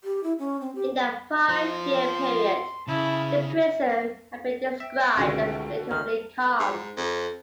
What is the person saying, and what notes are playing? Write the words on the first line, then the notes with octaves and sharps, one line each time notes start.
In that five-year period, the prison had been described as relatively calm.
G4
E4
C#4
C4
G4
F4 C5 C6
C#3 E4 A5
E5 G5
C#2 B2 D3 D#3 A3 C#4
D2 D#3 F6
G#2
F2